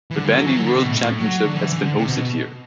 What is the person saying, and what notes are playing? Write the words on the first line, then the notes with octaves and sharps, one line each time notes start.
The Bandy World Championship has been hosted here.
E3
D3
G3
F#3
E3
F#3
D3
B2
A2
A2
F#3
D3
E3
D3
C3
B2